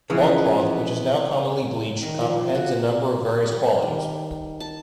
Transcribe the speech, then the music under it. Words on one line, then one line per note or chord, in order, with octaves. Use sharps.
Longcloth, which is now commonly bleached, comprehends a number of various qualities.
C#3 E3 F3 G#3 B3
D#3
F3
F#4
G3
D#3
A5